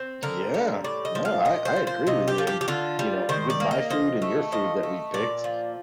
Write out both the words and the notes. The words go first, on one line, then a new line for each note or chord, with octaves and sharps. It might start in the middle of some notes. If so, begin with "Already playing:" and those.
Yeah. No, I I agree with you, and, you know, with my food and your food that we picked,
Already playing: C4
D3 A#4
G3
A2 D5
D#5
F3
F5
A#2 D#5
C5
F3
C5
C3 D#5
G4
F3
G4
G4
D3 F4
G3
D#3 C5
D5
A#3
D#5
F3 D#5
A3
F3 D#5
A3
A#2 D5
F3